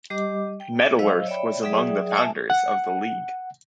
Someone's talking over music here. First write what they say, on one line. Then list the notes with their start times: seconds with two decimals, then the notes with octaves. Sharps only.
Metalurh was among the founders of the League.
0.10 G3 G4 D#5 D6
0.60 G5
0.99 F#3 C5 D#5 F5 E6
1.27 C#5 D5 E5 G5 B5
1.61 F#3 G#4 D5 E5 G5 D#6
2.15 E5 G#5 A5
2.50 F#5